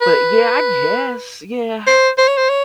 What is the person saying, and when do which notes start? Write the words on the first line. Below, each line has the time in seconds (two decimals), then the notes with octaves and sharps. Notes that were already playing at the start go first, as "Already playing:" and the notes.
But, yeah, I guess, yeah,
0.01 B4
1.87 C5
2.18 C5
2.28 C#5
2.38 C5
2.49 C#5